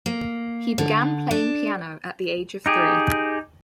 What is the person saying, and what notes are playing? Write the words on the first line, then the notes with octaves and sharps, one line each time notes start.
He began playing piano at the age of three.
A#3
D3
D4
D#4 G4 G#4